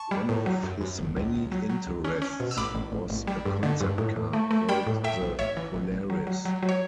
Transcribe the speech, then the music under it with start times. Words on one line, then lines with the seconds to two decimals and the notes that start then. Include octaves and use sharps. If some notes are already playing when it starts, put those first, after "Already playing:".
One of his many interests was a concept car called the Polaris.
Already playing: A5 C#6
0.11 G3
0.29 A2
0.46 F#3
0.63 F#2
0.81 F#2
0.99 G1
1.16 C#2
1.34 C#2
1.52 F#3
1.70 F#3
1.87 C#2
2.04 C#4
2.22 C#4
2.40 B2
2.51 E6
2.57 A1 B5 D6
2.75 A1
2.92 A1
3.10 A1
3.27 G3
3.45 G2
3.63 D3
3.81 G2
3.98 A2
4.16 A2
4.33 A3
4.51 A3
4.69 G3 G5 B5
4.87 A2
5.04 A2 E5 G5
5.22 B1
5.39 A1 C#5 E5
5.57 E3
5.74 A1
5.92 A1
6.10 F#3
6.27 F#3
6.45 F#3
6.63 F#3
6.69 C#5